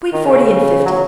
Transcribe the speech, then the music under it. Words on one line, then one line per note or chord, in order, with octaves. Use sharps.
"Between forty and fifty."
D#3
C#3
F#3